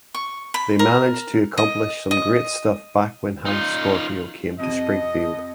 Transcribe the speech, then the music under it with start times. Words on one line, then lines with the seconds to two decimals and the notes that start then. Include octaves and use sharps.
They managed to accomplish some great stuff back when Hank Scorpio came to Springfield.
0.15 C#6
0.54 B5
0.79 A#4
1.58 D#5
2.11 D#5
3.46 D#4 F4
4.59 F2 C3 D#5 D#7